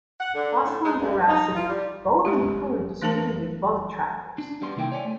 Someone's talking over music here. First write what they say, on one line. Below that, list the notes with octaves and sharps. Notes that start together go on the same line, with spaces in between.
Fossil and Veracity both include distributed bug trackers.
F#5
D3
A2
G#3
G2
D#4
F4
G3
G3 G#3 G4
E3 A3 D4 A#4 A5
D4
G3 B3 C6
C2 D#3 A#3 E4 G5
C#5 D5 G#5
A3